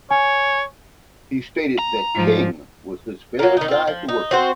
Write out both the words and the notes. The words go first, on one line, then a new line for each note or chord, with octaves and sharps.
He stated that King was his favorite guy to work with.
C#5 G#5
A#5
G#2 F3
F#3 A#3
D#3 D#4
C4 F4
F3
D#4
C4 F#4 C5